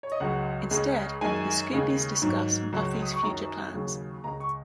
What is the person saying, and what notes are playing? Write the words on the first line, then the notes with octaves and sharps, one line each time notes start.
Instead, the Scoobies discuss Buffy's future plans.
C#5
D#5
C#2 C#3 F#3 F#5
C#2 C#3 G#3
F#2 D#3 G#3 G#5
D#2 C#3 G#3
G#2 D#3 F#3
C#2 C#3 F#3
D#6
C#6
F#2 D#3 F#3 A#5
D#2 C#3 F#3
C#2 C#3 G#3 A#5
C#6